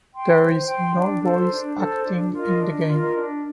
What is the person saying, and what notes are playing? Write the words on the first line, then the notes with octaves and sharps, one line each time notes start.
There is no voice acting in the game.
G5 C6
C5
G5 C6
D4
A4 C5
D4
A4 C5
D4
F4 A#4 D#5
D4
F4 A#4 D#5
D4